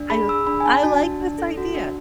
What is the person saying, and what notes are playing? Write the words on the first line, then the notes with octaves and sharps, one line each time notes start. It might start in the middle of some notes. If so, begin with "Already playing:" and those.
I I like this idea.
Already playing: D4
G#4 B5
G#4 E6
D4 B5
G#5
D4 A5
F#4 A5
D4
D4
A4
F#4
D4